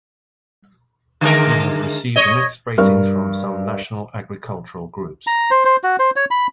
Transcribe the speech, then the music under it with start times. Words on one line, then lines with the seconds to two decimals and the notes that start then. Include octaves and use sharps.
He has received mixed ratings from some national agricultural groups.
1.21 D3 G#3 A#4
2.16 C#5 D#5
2.78 G2 A#4 C#6 F6
5.27 A#5
5.51 C5
5.65 C5
5.83 F#4
5.99 C5
6.16 C#5
6.31 B5